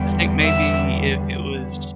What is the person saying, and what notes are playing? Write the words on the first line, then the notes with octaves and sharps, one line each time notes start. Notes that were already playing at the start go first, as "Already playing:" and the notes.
I think maybe if it was
Already playing: E2 D3 G3 B3 G5
E5